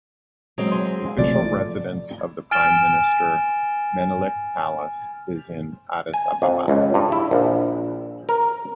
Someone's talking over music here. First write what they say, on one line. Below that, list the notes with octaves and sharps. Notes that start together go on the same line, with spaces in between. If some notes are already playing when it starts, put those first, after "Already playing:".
The official residence of the prime minister, "Menelik Palace" is in Addis Ababa.
F#3 G#3 C4
G#5 C6
C3 F3 A3 D5
G#5 F6 A6 D7 E7 G7
G#5
F2
C#2
G2
E4
A#1
A#4